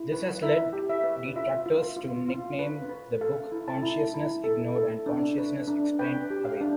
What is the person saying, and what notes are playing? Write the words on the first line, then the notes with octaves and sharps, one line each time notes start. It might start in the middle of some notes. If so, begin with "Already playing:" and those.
This has led detractors to nickname the book "Consciousness Ignored" and "Consciousness Explained Away".
Already playing: E4
B4
E4 E5
G4
E5
B4
F4 E5
F4
F4
F4
B4
B4
A4 F5
E4
A5
E4
E4
A4
A4
D4
B4
D4
B4 G5
G4
F5
D4